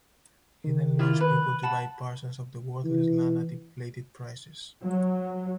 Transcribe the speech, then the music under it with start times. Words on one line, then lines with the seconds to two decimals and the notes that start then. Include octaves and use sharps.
He then lures people to buy parcels of the worthless land at inflated prices.
0.64 D#3
0.99 E4 F4 D5
1.20 B4
1.63 F#5 A5 B5
2.85 E3
4.86 F#3